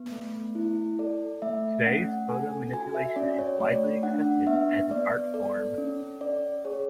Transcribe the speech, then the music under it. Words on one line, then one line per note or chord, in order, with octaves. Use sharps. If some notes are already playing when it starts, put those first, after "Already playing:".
Today, photo manipulation is widely accepted as an art form.
Already playing: B3
A3
E4
A4 D5
A3 E5
C#4 F#5
A4 G#5
F#4 G#5
E5
C#4 D5
C#5
A3 D5
D4 F#5
B3 E5
B3 D5
A4 D5
C#4
C#4 D5
G#4 C#5